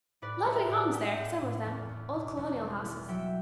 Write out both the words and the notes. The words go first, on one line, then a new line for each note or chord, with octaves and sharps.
Lovely homes there, some of them,--old colonial houses.
A2 B4 D5
A3 C#5 E5
A2 D5 F#5
A3 E5 G5
A2
A2
E2
E2
B2
E2
G3
E2
F#3 E5 G5